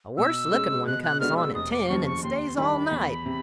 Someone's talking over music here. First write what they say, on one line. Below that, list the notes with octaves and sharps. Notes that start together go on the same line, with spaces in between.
"A worse-looking one comes on at ten and stays all night."
B2 E6
G#3 C#4
B2 F#6
F#6
G#3 B3 D4 F#4 F6
E6
F1 D#6
D6
D#2 C#3 F3 C#6
C#6
D#2 C6
D#3 G3 B5
E2
C3